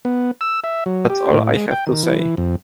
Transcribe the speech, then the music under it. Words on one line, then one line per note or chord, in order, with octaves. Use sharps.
That's all I have to say.
B3
E6
E5
F#3
G4
A2
G#3
G5
D#3
E3
E3
F2